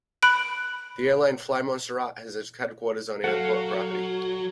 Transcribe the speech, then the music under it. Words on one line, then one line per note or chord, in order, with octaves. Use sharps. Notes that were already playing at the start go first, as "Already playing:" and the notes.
The airline FlyMontserrat has its headquarters on the airport property.
B5 F#6 D7
F#3 A4 F5 F#5